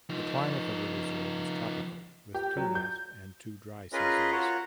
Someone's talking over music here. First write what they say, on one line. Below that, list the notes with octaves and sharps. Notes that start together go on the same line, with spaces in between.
The climate of the reserve is tropical with two wet and two dry seasons.
F3 D#4
G4
F#3
G6
C#4 F4 G#4 A#4 B4 D#5
F4 F#4 A#4 C#5 F#5